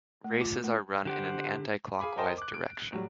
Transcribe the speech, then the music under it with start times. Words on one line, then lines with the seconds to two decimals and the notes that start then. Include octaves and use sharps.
Races are run in an anti-clockwise direction.
0.24 A3
0.41 F4
0.64 A3
1.05 D3 G4 C5 F#5
1.99 G#4 F5 G#5 B5 D6
2.17 A#4 C5 D#5 G5 A5
2.37 D6 F#6
2.54 D7
2.92 A2 F#3 G3